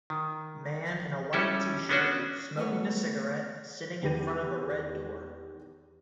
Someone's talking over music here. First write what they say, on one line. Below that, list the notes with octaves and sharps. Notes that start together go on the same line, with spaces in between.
Man in a white tshirt, smoking a cigarette, sitting in front of a red door.
D#3
G3 C#4 E4 A4
B3 C#4 D4 F#4
A3 B3 B4 C#5
E2 D#3 G4 B4 D#7